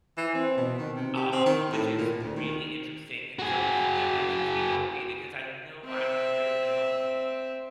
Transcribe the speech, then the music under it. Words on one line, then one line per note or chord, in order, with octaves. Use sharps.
uh, which is really interesting, and so, you know, that keeps me motivated 'cause I know I'm really gonna help people.
E3
C4
B2
D#3
C3
G4
C4
D#3
A2
A#2
D2
D#3
F#4 G#4
C4 E5